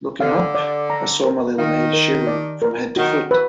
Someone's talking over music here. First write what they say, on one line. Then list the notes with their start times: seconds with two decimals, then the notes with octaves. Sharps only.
Looking up, I saw my little maid shivering from head to foot.
0.20 D3 F5
0.55 D5
0.90 A#5
1.24 A#4
1.58 D#3 F5
1.93 A#4
2.27 D5
2.62 A#4
2.96 D#3 F#4
3.31 B4